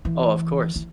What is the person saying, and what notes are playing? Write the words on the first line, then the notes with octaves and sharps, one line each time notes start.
Oh, of course.
E3
E3